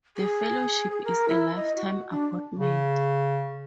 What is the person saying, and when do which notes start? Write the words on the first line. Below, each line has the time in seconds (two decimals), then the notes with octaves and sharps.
The Fellowship is a lifetime appointment.
0.17 G#4
0.91 G#4
1.04 A#4
1.29 E4
1.56 D#5
1.76 F#4
2.11 D4
2.59 C#3